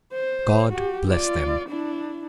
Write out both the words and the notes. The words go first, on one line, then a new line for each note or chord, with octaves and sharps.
God bless them!
C5
F#4 G4
F4 D5
D4 E4